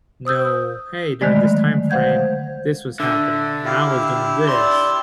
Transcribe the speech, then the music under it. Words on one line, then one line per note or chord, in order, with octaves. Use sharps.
know, "Hey, during this timeframe, this was happening and I was doing this."
C5 D#6 E6 G6
D3 D#3 F#3 G#3 A3 D5
C5 F5 F#5 G6 G#6
D3 D4 E5
E4 G4 F5
E6
D5 C6